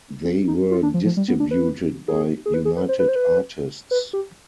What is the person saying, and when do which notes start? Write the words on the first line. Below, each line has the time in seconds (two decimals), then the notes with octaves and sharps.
They were distributed by United Artists.
0.25 C4
0.48 D#4
0.71 F4
0.83 D4
0.94 F3
1.05 F3
1.17 G3
1.28 B3
1.40 D4
1.51 B4
2.08 G#4
2.46 G#4
2.54 B4
2.65 G#4
2.77 B4
2.89 C5
2.99 B4
3.08 C5
3.16 B4
3.91 B4
4.13 G4